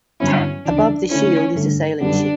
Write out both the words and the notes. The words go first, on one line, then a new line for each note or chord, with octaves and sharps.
Above the shield is a sailing ship.
G2 D3 F#3 B3 C#4 E4
D2 C#3 E3 D4
D3 A3 C#4 E4
G2 D3 A3
F#2 D3 G3 B3 D4